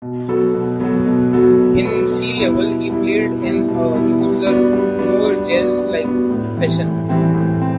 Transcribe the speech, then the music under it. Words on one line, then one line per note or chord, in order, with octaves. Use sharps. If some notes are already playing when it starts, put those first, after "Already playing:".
In Sea Level he played in a looser, more jazz-like fashion.
B2
F#3 B3 F#4 A4
B2
F#3 B3 F#4 A4
B2
F#3 B3 F#4 A4
B2
F#3 B3 F#4 A4
B2
G3 B3 E4
B2
G3 B3 E4
B2
G3 B3 E4
B2
G3 B3 E4
G3
B3 D4 F#4
G3
B3 D4 F#4
G3
B3 D4 F#4
G3
B3 D4 F#4
A2
E3 G3 C4
A2
E3 G3 C4
A2
C4